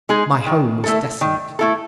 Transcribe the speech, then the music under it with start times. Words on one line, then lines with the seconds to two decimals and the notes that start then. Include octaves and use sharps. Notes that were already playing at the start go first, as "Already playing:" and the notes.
My home was desolate.
0.09 G#3 D#4 G#4
0.46 D#3
0.84 A3 E4 A4
1.21 D#3
1.59 A3 E4 A4